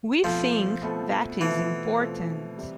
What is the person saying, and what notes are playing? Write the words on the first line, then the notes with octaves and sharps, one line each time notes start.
We think that is important.
B2 F3 A3 C4 F4 A4
B2 A3 C4 F4 A4
B2 E3 A3 C4 F4 A4
B2 A3 C4 F4 A4
C3 G3 C4